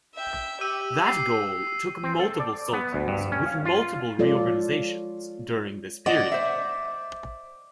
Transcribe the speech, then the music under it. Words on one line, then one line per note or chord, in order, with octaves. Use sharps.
That goal took multiple Sultans with multiple reorganizations during this period.
E5 G5
G4 E6 D#7
C7
C4
A4
D5
B3
D2
G2
C#4
F5
F4
G#3 F4 A4 C#5 D5
D5 D#5 F#5
C5 E5